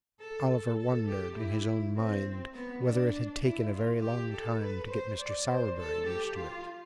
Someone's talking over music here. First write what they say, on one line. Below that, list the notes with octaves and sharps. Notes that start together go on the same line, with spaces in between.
Oliver wondered, in his own mind, whether it had taken a very long time to get Mr. Sowerberry used to it.
A4
A4
A4
G4
E4
C4
B3
D4
E4
F4
G4
A4
B4
C5
D5
C5
A4
G4
F4